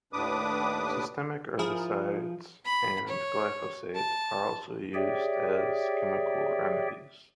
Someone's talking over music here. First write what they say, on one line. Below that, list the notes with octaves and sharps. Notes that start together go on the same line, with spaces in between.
Systemic herbicides and glyphosate are also used as chemical remedies.
D#2 A2 D4 B4 D6 D#6
F3 E4 G#4 A#4
B5
C#5
A5
G4 G#4 C#5 D5 E5 G5